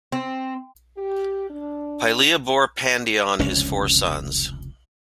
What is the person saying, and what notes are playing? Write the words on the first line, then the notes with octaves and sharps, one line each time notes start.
Pylia bore Pandion his four sons.
C4
G4
D4
F1 C#2 D3 C#4